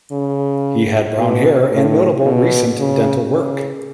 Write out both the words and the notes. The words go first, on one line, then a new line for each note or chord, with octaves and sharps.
He had brown hair and notable recent dental work.
C#3
B2
A2
B2
C#3
C#3